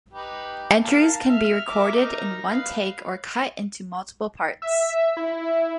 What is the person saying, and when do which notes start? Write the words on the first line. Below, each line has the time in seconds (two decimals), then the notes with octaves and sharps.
Entries can be recorded in one take or cut into multiple parts.
0.13 D#4 G4 B4
0.83 A#4 F5 A5
1.29 E5 F6
1.68 A#4 E5 D6
1.95 D#4 A#4
2.49 B4 F5
4.62 E5
5.17 E4